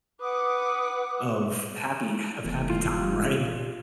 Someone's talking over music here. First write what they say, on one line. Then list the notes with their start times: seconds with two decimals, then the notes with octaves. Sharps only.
of happy ha of happy time. Right?
0.21 B4 F#5 D6 D#6
2.44 F1 E3 A3 B3
2.70 F4
3.38 A#2